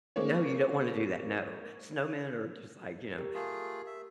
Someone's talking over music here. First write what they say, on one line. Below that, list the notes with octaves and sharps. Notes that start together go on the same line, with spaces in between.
No, you don't wanna do that, no. Snowmen are just like, you know,
G#3 A#3 C4 C#5
G4 A#4
A3 F4 G#4
E5